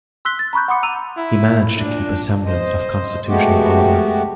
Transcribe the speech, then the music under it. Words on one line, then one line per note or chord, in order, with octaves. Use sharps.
He managed to keep a semblance of constitutional order.
C6 E6 F#6 B6 G7
A6
A#5 B5 C#6 F#6 G6
F#5 B5 C6 D6 D#6 C#7
A#5 E6 D#7 F7
E4
A#2 D4
C5 D#5
G#3 A3 B3 F#4 G4